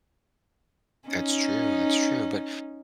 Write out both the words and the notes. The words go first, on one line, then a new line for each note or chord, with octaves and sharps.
That’s true, that's true, but
C#4 D#4